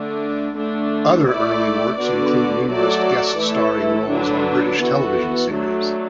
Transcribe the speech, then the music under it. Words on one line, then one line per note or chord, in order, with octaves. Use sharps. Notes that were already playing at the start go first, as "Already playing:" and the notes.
Other early works include numerous guest-starring roles on British television series.
Already playing: D3 A3 D4
D3 A3 D4
A3 E4 D5
D3 B3 F#4 D5
F#3 A3 F#4 A4 D5
E3 A3 E4 A4
D3 F#3 D4 B4
E3 B3 F#4 A4
F#3 A3 D4